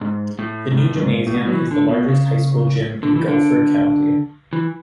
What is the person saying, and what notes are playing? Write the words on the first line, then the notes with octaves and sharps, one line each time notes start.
The new gymnasium is the largest high school gym in Guilford County.
G#2
A2
G#2
A2
F#2
G#2
A2
B2
A2
F#3
E3
D3
B2
C#3
D3
E3
D3
E3